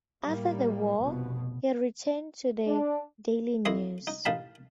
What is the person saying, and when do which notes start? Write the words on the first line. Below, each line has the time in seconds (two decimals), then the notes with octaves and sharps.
After the war, he returned to the "Daily News".
0.23 A2 G3 A#3
1.00 F1 B2
2.65 D4
3.65 F2 E4 D#5 C6
4.07 D#4
4.25 A1 D#4 F5 A5 B5